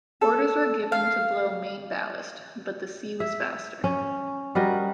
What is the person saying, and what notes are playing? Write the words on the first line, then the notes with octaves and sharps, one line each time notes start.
Orders were given to blow main ballast, but the sea was faster.
A4
F5
E5
C#4
G3 F#4 A#4 D#5